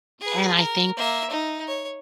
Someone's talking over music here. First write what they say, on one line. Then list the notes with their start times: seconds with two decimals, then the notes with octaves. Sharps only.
and I think
0.21 G#4 B4
0.54 A#4
0.97 A#3 E5
1.30 D#4
1.67 C#5